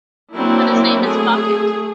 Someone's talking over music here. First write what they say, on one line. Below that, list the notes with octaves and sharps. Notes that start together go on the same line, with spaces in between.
But his name is Bucket.
F#3 A#3 C4 D4 E4
A3 G#4